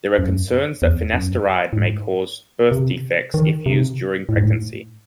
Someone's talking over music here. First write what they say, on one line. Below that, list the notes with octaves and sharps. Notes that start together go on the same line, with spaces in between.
There are concerns that finasteride may cause birth defects if used during pregnancy.
F#2
E2
F#2
A2
G#2
C3
D#3
C3
A2
G#2
A2